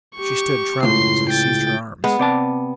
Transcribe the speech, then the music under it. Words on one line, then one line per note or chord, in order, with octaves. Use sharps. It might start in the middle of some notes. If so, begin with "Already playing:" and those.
She stood trembling as I seized her arms.
G4 C#6
C#2 A2 C6 C7
G5 A6
G#3 B3
C3 D5 A5